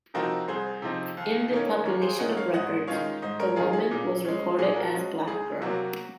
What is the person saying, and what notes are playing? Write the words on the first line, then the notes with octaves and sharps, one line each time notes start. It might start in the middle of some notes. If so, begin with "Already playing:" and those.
In the Population of Record, the woman was recorded as Black Girl.
C3 F3 C4 D#4 F#4 A#4
C2 G#4 C5
C3 F3 C4 D#4
D#2
D#3 A#3 C#4
D#2 A#4 C#5
G#4 C5
D#3 A#3 C#4 D#5 F#5
C#5 F5
G#2 D#5 F#5
D#3 G#3 C#4 F4 C#5 F5
G#2 C5 D#5
A#4 C#5
D#3 G#3 C#4 F4 G#4
G#4
A#2
G#3 C#4
A#2 G#4
F#4 A#4
G#3 C#4 F#4
C#2 G#4
C3 F#3 A#3 F#4